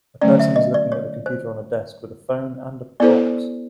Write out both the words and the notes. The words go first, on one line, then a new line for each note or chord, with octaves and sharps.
A person is looking at the computer on a desk with a phone and a box.
D3 F#3 A3 C#4 D5
E5
D#5
D5
C#5
C5
B3 E4 A4 C5 D5